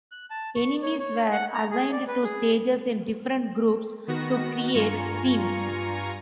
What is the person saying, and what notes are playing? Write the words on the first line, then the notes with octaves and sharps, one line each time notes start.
Enemies were assigned to stages in different groups to create themes.
F#6
A5
C#6
C#5
C#5
F#5
A#5
G#4
D5
B4
G#4
D#3 B3 F#4 A#6
G2 F4 G#5 A#5 C#6 C#7